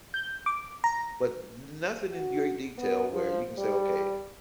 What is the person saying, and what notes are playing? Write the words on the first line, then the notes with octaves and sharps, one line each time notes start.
but n nothing in your detail where you can say, "Okay,
G6
D6
A#5
F#4
B3
F3
G3